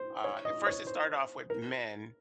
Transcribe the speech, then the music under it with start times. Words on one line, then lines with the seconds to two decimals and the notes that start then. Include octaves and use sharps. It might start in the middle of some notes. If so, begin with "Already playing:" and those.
uh at first it started off with men
Already playing: C5
0.24 C#5
0.45 D#5
0.67 C#5
0.87 C5
1.50 A#4